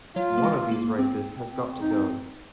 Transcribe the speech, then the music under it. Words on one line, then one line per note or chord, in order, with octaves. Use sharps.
One of these races has got to go.
F#3 F4
A#3
G#3
A#3
C4
D#4